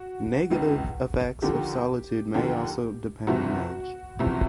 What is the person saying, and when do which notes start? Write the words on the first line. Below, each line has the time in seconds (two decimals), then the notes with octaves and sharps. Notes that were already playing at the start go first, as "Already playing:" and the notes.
Negative effects of solitude may also depend on age.
Already playing: F#4
0.50 C#2 C#3 E3
1.42 D#2 D3 F3 G4
2.35 D#2 D3 F3
3.27 F#1 E2 C3 F3 F#4
4.19 F#1 E2 C3 F3